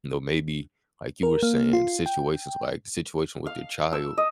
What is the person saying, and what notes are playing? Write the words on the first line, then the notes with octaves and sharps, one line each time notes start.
you know, maybe, like you were saying, situations like situation with your child,
A#4
A#3
F4
G5
F5
E6
D#5